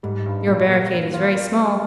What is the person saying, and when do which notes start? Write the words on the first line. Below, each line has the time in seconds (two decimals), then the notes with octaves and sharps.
Your barricade is very small.
0.03 G#2 G3
0.26 G2
0.47 A#2 G3
0.69 A#3
0.92 G2
1.13 F4
1.35 A#3
1.57 A#3